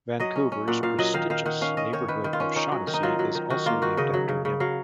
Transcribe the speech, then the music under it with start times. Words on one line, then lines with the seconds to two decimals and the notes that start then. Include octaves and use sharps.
Vancouver's prestigious neighbourhood of Shaughnessy is also named after him.
0.20 F#3 D#5
0.36 C#4
0.52 C#4
0.68 A#2 F#5
0.83 A#2 F5
0.99 F#3 D#5
1.14 D#3 F5
1.30 D#3 F5
1.46 D#3 F#5
1.61 C#4 F5
1.77 C#4 D#5
1.93 D#3 C#5
2.08 D#3 B4
2.24 D#3
2.33 F4
2.40 C#4
2.56 C#4 D#4
2.72 F#3
2.87 D#3
2.94 D#4
3.03 F#3 F4
3.19 F#3
3.35 D#3
3.50 D#3 F#4
3.66 A#3 F4
3.82 D#3 F#4
3.97 C#3 D#5
4.14 F#3
4.29 C#3
4.45 C#3
4.60 F#3 F5